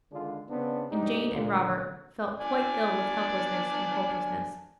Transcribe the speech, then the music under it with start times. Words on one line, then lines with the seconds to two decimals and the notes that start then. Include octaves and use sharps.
And Jane and Robert felt quite ill with helplessness and hopelessness.
0.12 D3 D#3 G#3 D4 F4
0.50 C#3 B3 C4 D4
0.91 G#2 C3 D4 D#4 G4
1.33 A#2 D3
2.40 D4 D5 G#5